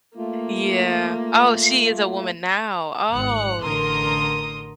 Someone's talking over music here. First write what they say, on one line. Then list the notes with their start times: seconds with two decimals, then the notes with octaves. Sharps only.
Yeah. Oh, she is a woman now, oh, y
0.17 A3 A#3 F4
3.12 G#1 F#6 C#7
3.63 A1 D3 A#4 A#5 C6 D#6